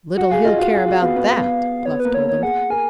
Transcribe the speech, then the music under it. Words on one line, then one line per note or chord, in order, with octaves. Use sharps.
"Little he'll care about that," Bluff told him.
F#4 F#5
G#4 F5
F4 D#5
F#4 F5
G#4 F5
F#4
B3
B3
B3
B3 C#5
B4
A#3
C#5
C#5
G#4 F#5
A#4 G#5